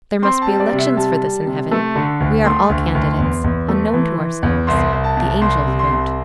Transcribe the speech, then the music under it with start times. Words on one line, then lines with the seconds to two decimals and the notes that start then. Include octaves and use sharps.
There must be elections for this in heaven; we are all candidates, unknown to ourselves; the angels vote.
0.22 C4 C6
0.42 A5
0.47 G3
0.60 D5
0.72 C3
0.79 E5
0.97 G3 A5
1.22 G3
1.46 C3
1.71 A3
1.95 D3
2.20 D2
2.45 A3 C6
2.69 D2
2.95 D2
3.19 E2
3.44 E2
3.68 A3
3.93 E3
4.18 E3
4.43 E2
4.67 C2 C6
4.93 C2
5.04 A5
5.17 C2
5.41 C2 C6
5.66 C3
5.79 C6
5.91 C2